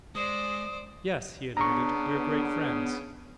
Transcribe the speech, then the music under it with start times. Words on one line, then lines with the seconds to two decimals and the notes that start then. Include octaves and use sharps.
"Yes," he admitted, "we're great friends."
0.15 G#3 C5 D5 D#6
1.57 C#3 B3 D4 A#5 C#6